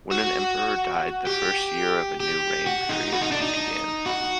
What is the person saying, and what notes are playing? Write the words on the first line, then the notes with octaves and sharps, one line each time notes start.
When an emperor died, the first year of a new reign period would begin.
F#4
G4
G4
F#4
D#4
F#4
D#4
D4
D#4
F#4